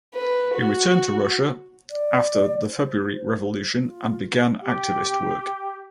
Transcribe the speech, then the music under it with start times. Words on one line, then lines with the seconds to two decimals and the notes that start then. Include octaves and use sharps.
He returned to Russia after the February Revolution and began activist work.
0.14 B4
0.55 F#4
1.90 D5
2.62 C5
3.83 F4
4.61 G4